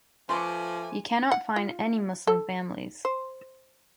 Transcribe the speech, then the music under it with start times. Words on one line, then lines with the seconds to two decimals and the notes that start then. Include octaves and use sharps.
You cannot find any Muslim families.
0.29 F3 A3 B4 G#5 C6 D6
1.32 F#5
1.56 F4
2.27 A4
3.05 C5